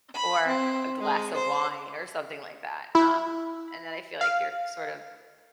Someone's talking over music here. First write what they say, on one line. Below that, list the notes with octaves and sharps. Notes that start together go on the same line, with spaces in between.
Or a glass of wine or something like that, um, and then I feel like you're sort of
B5
C4
G#3
C5
E4
F5